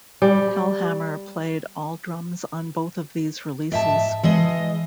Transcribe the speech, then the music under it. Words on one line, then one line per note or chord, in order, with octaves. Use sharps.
Hellhammer played all drums on both of these releases.
G3
G#2 E5 A5
E3 G#3 D#5